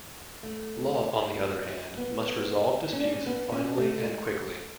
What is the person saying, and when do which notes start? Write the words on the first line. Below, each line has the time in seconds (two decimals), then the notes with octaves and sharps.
Law, on the other hand, must resolve disputes finally and quickly.
0.43 A3
1.97 B3
2.93 C#4
3.00 D4
3.13 C#4
3.26 B3
3.52 C#4
3.78 A3
4.04 G#3